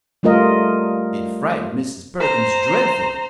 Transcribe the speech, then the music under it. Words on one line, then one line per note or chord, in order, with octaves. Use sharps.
It frightened Mrs. Perkins dreadfully.
G3 A3 F4 A#4 D#5
C5 A#5